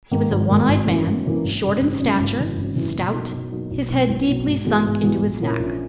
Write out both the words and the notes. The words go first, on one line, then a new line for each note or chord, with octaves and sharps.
He was a one-eyed man, short in stature, stout, his head deeply sunk into his neck.
G#2 D#3 A#3
G#1
G#2 D#3 A#3
G#1
F#2 E3 A#3
G#1
F#2 E3 A#3
G#1
F#2 C#3
G#1
F#2 C#3
G#1
F#2 C#3 E3
G#1
F#2 C#3 E3
B2
F#3 A#3 D#4 F#4
B2
F#3 A#3 D#4 F#4
B1
B2 F#3
B1
B2 F#3
G#2
E3 G#3 B3 F#4
G#2
E3 G#3 B3 F#4
A#1
A#2 A#3 C#4 E4
A#1